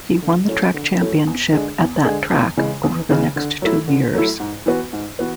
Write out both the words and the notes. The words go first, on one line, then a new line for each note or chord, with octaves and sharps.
He won the track championship at that track over the next two years.
D3
F#3 A3 C#4 E4
D3
F#3 A3 C#4 E4
E2
D3 G#3 D4 G#4
E2
D3 G#3 D4 G#4
E2
C#3 E3 G#3
E2
C#3 E3 G#3
D3
F#3 A3 E4
D3
F#3 A3 E4
G#2
E3 B3 F#4 B4
G#2
E3 B3 F#4 B4